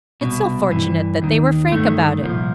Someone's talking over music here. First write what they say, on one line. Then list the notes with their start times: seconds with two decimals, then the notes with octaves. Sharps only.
It's so fortunate they were frank about it.
0.21 C2 B2
0.71 G2 E3
1.22 D#2 D#3
1.72 G2 D#3 A3
2.21 C2 A#2 F3